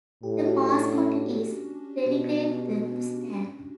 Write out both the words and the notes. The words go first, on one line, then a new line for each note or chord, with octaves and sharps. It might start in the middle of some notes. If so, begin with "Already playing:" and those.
The mascot is Renegade the Mustang.
A2 G4
F#4
D4
C#4
D4
B2